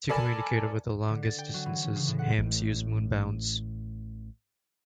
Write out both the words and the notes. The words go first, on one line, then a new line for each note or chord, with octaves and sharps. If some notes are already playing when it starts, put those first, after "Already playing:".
To communicate over the longest distances, hams use moon bounce.
A4 A#4 D5 G#5 A5 B5
D3
A6
G5
F#3
E3
C#4
C#3
A2
F#5
A1 A2